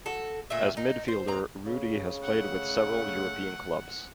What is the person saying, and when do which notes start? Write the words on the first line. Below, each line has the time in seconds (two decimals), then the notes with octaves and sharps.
As midfielder, Rudi has played with several European clubs.
0.06 F#4 A4
0.50 A#2 A3 E5
0.77 D#4
1.08 C5
1.28 C4 A#5
1.66 C#3
2.20 A3 F#5